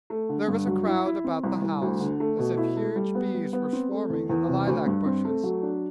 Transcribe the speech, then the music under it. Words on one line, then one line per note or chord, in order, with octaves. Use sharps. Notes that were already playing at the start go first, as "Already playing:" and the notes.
There was a crowd about the house as if huge bees were swarming in the lilac bushes.
A3
D3
G2
F#3
E4
E4
C4
C2
C2
D2
D3
A3
B2
E4
A3
G3
B3
G3
B3
C4
A3
E2
E2
C3
D2
G2
C4
A3
F#3
D4